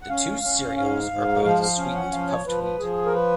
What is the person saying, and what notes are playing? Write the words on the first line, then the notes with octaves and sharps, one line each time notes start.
The two cereals are both sweetened puffed wheat.
F#5
C#4 F5
C#4
G#2 F5
G#2
F3 F5
F5
C#4 F5
F#5
F3 F5
C#5
F3 B4
B4
F3 G#4
A#4
B4